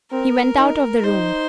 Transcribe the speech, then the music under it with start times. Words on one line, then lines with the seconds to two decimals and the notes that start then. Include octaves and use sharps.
He went out of the room.
0.11 C4 A#4
0.57 D#4
1.04 D#4 C5